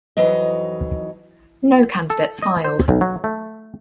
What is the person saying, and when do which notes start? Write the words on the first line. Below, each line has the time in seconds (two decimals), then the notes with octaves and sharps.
No candidates filed.
0.17 F2 E3 F#3 D#4 D#5
2.10 A4
2.42 D#5
2.65 C5
2.89 B1
3.01 F#3
3.24 A3